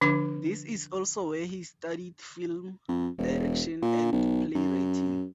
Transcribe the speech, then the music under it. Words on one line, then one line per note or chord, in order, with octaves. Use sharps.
This is also where he studied Film Direction and Playwriting.
D3 F3 D4 D6
F2
E1
A#2
B1
F#2